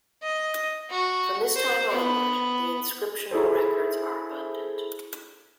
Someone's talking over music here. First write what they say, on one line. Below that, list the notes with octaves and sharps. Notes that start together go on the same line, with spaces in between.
From this time onward, the inscriptional records are abundant.
D#5
F#4
C5
B3
E4 G#4 A4 C5